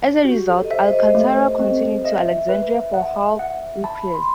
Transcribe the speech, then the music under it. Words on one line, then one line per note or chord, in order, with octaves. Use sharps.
As a result, "Alcantara" continued to Alexandria for hull repairs.
F#4 G4
A4
D#5
C5 E5
C5
D#5
A3
C4
D#5 E5
B4
F#5
F#5
A5 B5
C6